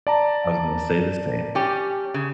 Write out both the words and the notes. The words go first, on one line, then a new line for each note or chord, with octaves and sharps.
I was gonna say the same.
D5 A5 A#5
G3 C#4 G4
C#3